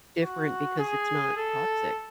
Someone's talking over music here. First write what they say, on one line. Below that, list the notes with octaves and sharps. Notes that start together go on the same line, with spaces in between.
different because it's not toxic.
F#4
G#4
A4